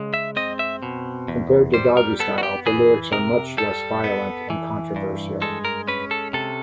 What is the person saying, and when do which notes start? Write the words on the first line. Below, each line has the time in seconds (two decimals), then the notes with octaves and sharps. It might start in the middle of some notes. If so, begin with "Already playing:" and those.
Compared to Doggystyle, the lyrics are much less violent and controversial.
Already playing: C#3 G#3
0.14 E5
0.36 C4 D#5
0.59 E5
0.83 B2
1.28 E2
1.74 G3 C5
1.97 A#4
2.20 B3 A4
2.38 F#4
2.43 G4
2.66 E3 G#4
3.12 C3 A#4
3.58 G3 A4
4.04 B3
4.50 E3
4.96 G2
5.42 G#3 A4
5.65 A#4
5.88 C#4 B4
6.11 A4
6.33 C3 A4